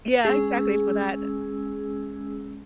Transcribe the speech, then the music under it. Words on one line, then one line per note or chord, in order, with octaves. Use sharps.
Yeah, exactly for that.
G#3 C#4 G#4 E6